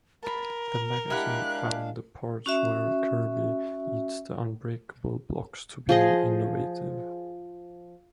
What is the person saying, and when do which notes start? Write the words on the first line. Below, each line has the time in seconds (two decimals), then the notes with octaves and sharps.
The magazine found the parts where Kirby eats the unbreakable blocks to be innovative.
0.23 A#4 A5 B5
1.10 G#3 D4 E4 G4 F5 F#5 F#6
2.46 C#4 F#4 E5
5.89 F3 G#4 D#5